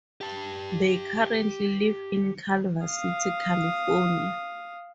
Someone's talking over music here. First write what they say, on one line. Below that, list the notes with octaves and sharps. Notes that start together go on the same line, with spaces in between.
They currently live in Culver City, California.
G4 A5
F5 D#6